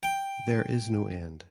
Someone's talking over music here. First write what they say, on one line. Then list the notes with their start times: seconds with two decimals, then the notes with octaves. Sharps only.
There is no end.
0.03 G5